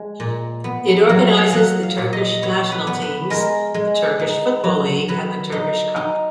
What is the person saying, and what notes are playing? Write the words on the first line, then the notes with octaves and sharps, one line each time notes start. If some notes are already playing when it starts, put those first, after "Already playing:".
It organizes the Turkish national teams, the Turkish football league and the Turkish Cup.
Already playing: G#3
A#2
B3
F#3
F5
F#3 F#5
F5
A#2
D#5
B3 C#5
B4
B3
B4
G#3 A#4
G#3
D#4
F#3
F#3 B4
D#4
D#4